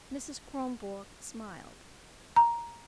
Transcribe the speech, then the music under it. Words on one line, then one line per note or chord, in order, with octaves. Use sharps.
Mrs. Kronborg smiled.
A#5